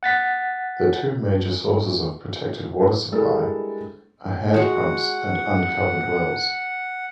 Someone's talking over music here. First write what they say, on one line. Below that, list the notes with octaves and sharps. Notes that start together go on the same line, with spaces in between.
The two major sources of protected water supply are hand pumps and uncovered wells.
F#5 A6 B6
G3 G#3 D4 E4 A4 A#4
G#3 F#4 F#5